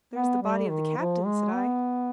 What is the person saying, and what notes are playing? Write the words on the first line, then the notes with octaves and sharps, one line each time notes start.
"There is the body of the captain," said I.
B3
G3
D#3
F3
G#3
B3